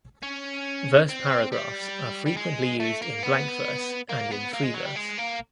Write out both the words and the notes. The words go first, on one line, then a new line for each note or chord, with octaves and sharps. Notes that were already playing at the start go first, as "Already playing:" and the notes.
Verse paragraphs are frequently used in blank verse and in free verse.
C#4
C4
G3
G3
G#3
A3
A#3
B3
A#3
B3
A#3
G#3
F#3
G3
G#3
A#3